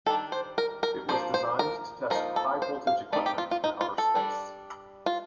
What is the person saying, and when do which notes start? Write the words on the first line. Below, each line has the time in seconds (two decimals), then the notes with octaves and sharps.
It was designed to test high-voltage equipment in outer space.
0.06 D#3 G3 D4 A4
0.32 C5
0.58 A#4
0.83 A#4
1.09 F3 A#3 D4 C5
1.34 C5
1.59 A#4
2.10 F3 A#3 D#4 A#4
2.36 A4
2.62 C5
2.87 F5
3.12 A3 C4 D#4 D5
3.26 G4
3.38 F4
3.51 F4
3.64 D#4
3.81 F4
3.98 A4
4.15 G3 D4
5.06 F4